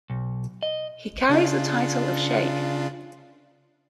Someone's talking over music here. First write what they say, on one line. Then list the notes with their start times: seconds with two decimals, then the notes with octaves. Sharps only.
He carries the title of sheikh.
0.10 B1
0.63 D#5
1.29 C#3 D4 F4